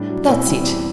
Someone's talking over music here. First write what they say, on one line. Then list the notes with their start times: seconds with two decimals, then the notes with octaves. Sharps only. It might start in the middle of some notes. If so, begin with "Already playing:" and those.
That's it.
Already playing: A2 G3 D4
0.09 F#3
0.28 B2 C4 E4
0.47 G3
0.66 E2